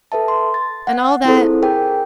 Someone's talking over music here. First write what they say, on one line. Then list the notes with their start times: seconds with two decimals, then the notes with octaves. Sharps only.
And all that.
0.12 A4 B4 E5 A5
0.28 C6
0.54 A6
0.87 F#5
1.25 C4 E4 F4 G#4 A4 C5
1.63 G#4 A#4 G5